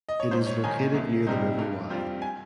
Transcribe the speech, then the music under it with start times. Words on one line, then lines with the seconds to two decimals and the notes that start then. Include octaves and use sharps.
It is located near the River Wye.
0.09 D#5
0.20 C#5
0.31 G#2 C5
0.47 C#5
0.63 D#3 A#3 D#4 G#5
0.94 C2
1.27 C3 G3 C4 D#4
1.59 G2
1.90 G3 C4 F4
2.22 G#5